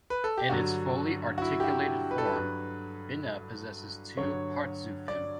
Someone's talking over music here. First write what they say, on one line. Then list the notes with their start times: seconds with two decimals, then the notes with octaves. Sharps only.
In its fully articulated form, Binah possesses two "partzufim".
0.10 B4
0.24 A4
0.38 G4
0.49 G2 D3 F#3 F#4
1.38 F#4
1.42 E4
1.60 G4
1.64 F#4
2.11 B4
2.18 A4
2.25 B4
2.33 G2 F#3
4.17 G2 D3 F#3 C#5
5.08 D5